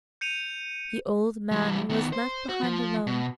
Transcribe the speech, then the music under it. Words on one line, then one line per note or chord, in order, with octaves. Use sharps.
The old man was left behind alone.
G6 C#7 D#7 F7
E3 G3
D#3 B3
C5
F#4
F3
B2